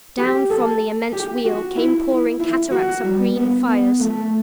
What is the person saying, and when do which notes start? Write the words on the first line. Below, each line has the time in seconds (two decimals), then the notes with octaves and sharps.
Down from the immense wheel came pouring cataracts of green fires.
0.18 G4
0.50 A4
1.13 G4
1.45 F#4
1.77 E4
2.09 E4
2.40 E4
2.72 F#4
3.04 G3
3.35 B3
3.68 B3
4.00 A3